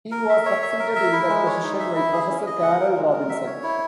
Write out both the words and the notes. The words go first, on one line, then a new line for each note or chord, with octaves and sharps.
He was succeeded in that position by Professor Carol Robinson.
A#4
E5
C#5
E5
A#4
E5
E4
G#3
C#5
D#4
E5
E4
G#4
C#4
D#5
F#5
A#4
G#3
A#4
E5
C#5
E4